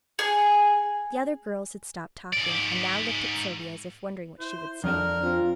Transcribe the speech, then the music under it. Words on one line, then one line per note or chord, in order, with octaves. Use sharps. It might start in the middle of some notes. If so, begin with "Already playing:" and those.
The other girls had stopped talking, and now looked at Sylvia as if wondering what she would say.
G#4
G#2 D5
E4 C5
F2 D4 A#4
C4 F4